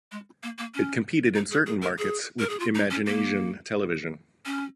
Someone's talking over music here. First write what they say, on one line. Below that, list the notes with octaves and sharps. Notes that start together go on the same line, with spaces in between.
It competed in certain markets with ImaginAsian Television.
G#3
A#3
A#3
C#4
D#4
G#4
G#4
A#4
G#4
A#4
G#4
F4
D#4
C#4
A#3
C#4